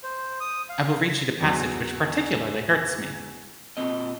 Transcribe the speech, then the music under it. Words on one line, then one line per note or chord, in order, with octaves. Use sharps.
I will read you the passage which particularly hurts me.
C5
D#6
F5
E2 F#3
A#2 C4 D#5